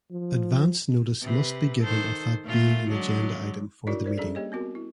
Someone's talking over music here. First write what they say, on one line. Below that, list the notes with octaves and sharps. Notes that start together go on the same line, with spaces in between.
Advance notice must be given of that being an agenda item for the meeting.
F3
C3 B4
D#3 A4 C5
A#2 A3 F4
D3 F#3 G#3
D4 E4 F#4 A#4 C#5 D5
A#4 C5 D5
G3 C#4 D4 G#4 A4 D5
A#3 G4 C#5 D#5
B3 C4 F#4 A#4
E4